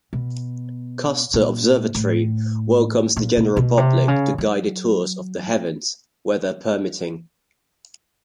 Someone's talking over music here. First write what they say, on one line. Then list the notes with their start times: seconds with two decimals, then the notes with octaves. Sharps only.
Custer Observatory welcomes the general public to guided tours of the heavens-weather permitting.
0.13 B2
1.34 A#2
1.95 A2
3.17 A#2
3.37 A#2
3.57 B2
3.78 C3
4.08 C#3
4.38 F#3